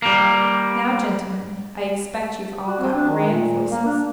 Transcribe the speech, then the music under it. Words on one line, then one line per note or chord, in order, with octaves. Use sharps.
Now, gentlemen, I expect you've all got grand voices.
G3 A#3
F#4
C4
D4
D#3
A#2
A#3
D4